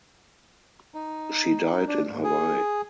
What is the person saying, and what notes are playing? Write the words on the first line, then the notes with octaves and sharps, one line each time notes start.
She died in Hawaii.
D#4
D4
G#2
G#4